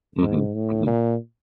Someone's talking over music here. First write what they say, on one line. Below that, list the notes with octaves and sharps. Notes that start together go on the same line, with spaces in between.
Mhm. Mhm.
G#2
A2
A#2